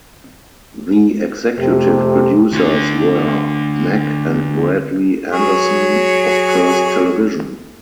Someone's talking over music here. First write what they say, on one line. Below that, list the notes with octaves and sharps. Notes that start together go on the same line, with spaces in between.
The Executive Producers were Mack and Bradley Anderson of First Television.
F2 C3 A3 G4
D2 D3
F#3 G#4 C#5